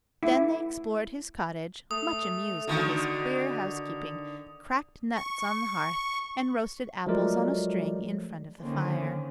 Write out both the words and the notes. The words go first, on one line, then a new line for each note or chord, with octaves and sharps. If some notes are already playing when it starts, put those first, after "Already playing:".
Then they explored his cottage, much amused by his queer housekeeping, cracked nuts on the hearth, and roasted apples on a string in front of the fire.
E4
A3 D#6
D3 D#3 F#4
C#6
F3 F#3 G#3 A3 A#4 D5
D3 D#3 A#3 C4 C#4